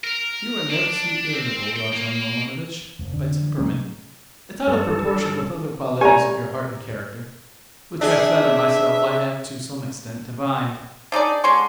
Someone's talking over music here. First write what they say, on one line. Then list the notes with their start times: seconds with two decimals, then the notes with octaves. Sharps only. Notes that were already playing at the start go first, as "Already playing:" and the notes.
You are nervously irritable, Rodion Romanovitch, by temperament; it's out of proportion with other qualities of your heart and character, which I flatter myself I have to some extent divined.
0.04 A#4
0.70 D4
1.33 C4
1.76 G5
1.92 A#3
2.99 F1
3.13 D3
3.58 C3 F#3 A#3 C#4
4.68 G2 A4
6.01 G4 D5 G#5 A#5
8.01 D4 G#4 E5
11.12 D4 D#4 G#4 D5
11.44 D3 G#3 C6 C#6